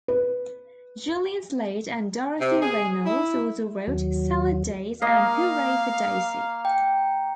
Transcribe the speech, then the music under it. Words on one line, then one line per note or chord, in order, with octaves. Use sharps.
Julian Slade and Dorothy Reynolds also wrote "Salad Days" and "Hooray for Daisy".
B4
C3
G#4
E4
D#2 F#3
A#3 D#5 F5 C7
G5